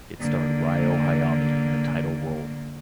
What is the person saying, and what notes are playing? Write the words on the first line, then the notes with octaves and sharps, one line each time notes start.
It starred Ryo Hayami in the title role.
D3 A#3